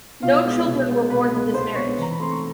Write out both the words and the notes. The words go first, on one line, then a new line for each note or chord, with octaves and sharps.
No children were born to this marriage.
B2 F4 F5
G#3 B3
B2
G#3 B3
B2 B4 B5
G#3 B3
B2 C5 C6
G#3 B3 C#5 C#6
E3 A#5
B5
A3 C4 C6
C#6